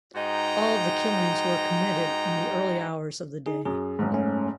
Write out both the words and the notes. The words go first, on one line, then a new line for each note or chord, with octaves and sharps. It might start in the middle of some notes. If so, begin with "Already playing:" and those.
All of the killings were committed in the early hours of the day.
G#2 D#4 F#4 G5 A#5
D#4 G#4
F#2 G#4
F#1 G#2
A3 C#4